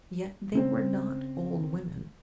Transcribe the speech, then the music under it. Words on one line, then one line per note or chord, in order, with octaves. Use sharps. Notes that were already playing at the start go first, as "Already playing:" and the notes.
Yet they were not old women.
C#3 C4 C5